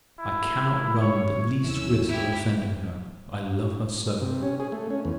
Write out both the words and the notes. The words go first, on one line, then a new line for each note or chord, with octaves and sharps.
I cannot run the least risk of offending her--I love her so.
E4
C#5
D#2 D3 E3 C#4 E6
E4 G4
C3
C#4
G#4
A3
C#4
E2